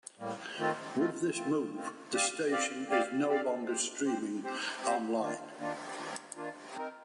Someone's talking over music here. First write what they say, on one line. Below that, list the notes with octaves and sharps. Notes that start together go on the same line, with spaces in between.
With this move, the station is no longer streaming online.
A2 G3 A#3
D#3 A3 C4 F4
D#3 A3 C4 F4
D#3 A3 C4 F4
D#3 A3 C4 F4
C4 G4 D5 F5
C4 G4 D5 F5
C4 G4 D5 F5
C4 G4 D5 F5
C4 G4 C5
C4 G4 C5
C4 G4 C5
C4 G4 C5
D#3 A#3 D4 F4
D#3 A#3 D4 F4
D#3 A#3 D4 F4
D#3 A#3 D4 F4
C4 D#4 A#4